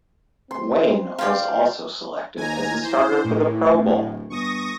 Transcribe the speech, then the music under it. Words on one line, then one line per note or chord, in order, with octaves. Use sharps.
Wayne was also selected as a starter the Pro Bowl.
C4 C6
D5 F5 G5 C6
D#2 G#5 A#5
E3 C5
A2
D1
G1 C#6 D#6 A#6